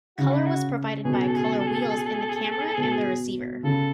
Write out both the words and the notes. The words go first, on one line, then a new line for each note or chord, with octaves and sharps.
Color was provided by color wheels in the camera and the receiver.
C#3 F#4
E4
F#4
B2 G#4
A4
G#4
A4
G#4
A4
G#4
A4
G#4
A4
G#4
A4
G#4
A4
G#4
A4
G#4
A4
G#4
A4
G#4
A4
G#4
B2 A4
G#4
C#3 A4